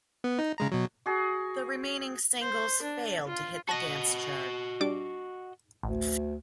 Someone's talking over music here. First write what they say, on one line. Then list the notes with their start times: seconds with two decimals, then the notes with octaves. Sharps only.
The remaining singles failed to hit the dance chart.
0.24 B3
0.39 D#4
0.58 C#3 G#3 A#5
0.72 B2 F#3
1.06 F#4 G#4
2.41 C5
2.82 D4
3.27 F4
3.69 F#4 D#5 A5 A#6
4.81 G3 D4 D6
5.83 A1 D2